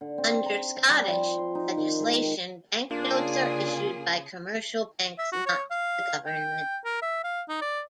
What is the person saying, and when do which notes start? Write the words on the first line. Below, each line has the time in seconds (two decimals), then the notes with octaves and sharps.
Under Scottish legislation, banknotes are issued by commercial banks not the government.
0.01 D3
0.18 C4
0.46 A#5
0.76 G5
0.89 G3
1.08 F3
1.38 C6
1.55 D#4
1.77 D#3
2.00 G#3
2.91 C#3 A#3 D4 F4 G#4
5.18 E5
5.32 F#4
5.46 C#5
5.70 F5
6.26 G5
6.85 A#4
7.02 E5
7.24 F5
7.49 D#4
7.62 D5